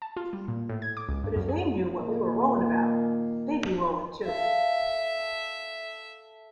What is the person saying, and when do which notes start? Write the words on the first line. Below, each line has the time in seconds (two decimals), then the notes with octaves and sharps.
But if they knew what we were rollin' about, they'd be rollin' too.
0.02 A5
0.16 F4
0.33 G3
0.48 A#2
0.69 A2
0.82 G#6
0.97 D6
1.09 C#2
1.23 G2
1.36 F#2
1.49 G#4
1.91 A#2 D#3 A#3
4.26 A4 E5 F5